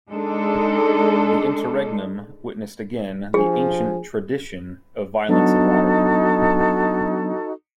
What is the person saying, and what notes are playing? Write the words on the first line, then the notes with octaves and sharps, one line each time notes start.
The interregnum witnessed again the ancient "tradition" of violence and rioting.
G#3 D4 D#4 A4
F3 D4 G4 G#4 G#5
F#3 B3 D4 D#4 F#4 A4